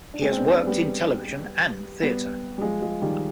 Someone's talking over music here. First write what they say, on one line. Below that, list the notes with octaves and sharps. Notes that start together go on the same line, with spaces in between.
He has worked in television and theatre.
D4
G#3 C4
C4
B3 D4
B3 D4
G3 B3
G3 B3
G3
F3 G#3
F3 G#3
D#3 G3